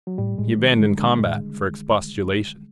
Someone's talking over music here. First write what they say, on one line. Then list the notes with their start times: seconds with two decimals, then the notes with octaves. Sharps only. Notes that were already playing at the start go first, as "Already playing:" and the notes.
He abandoned combat for expostulation.
0.07 F#3
0.18 A2 G3
0.38 A2 G#3
0.58 D#3 G#3
0.79 D3 G#3
0.98 D3 G#3
1.19 A2 G#3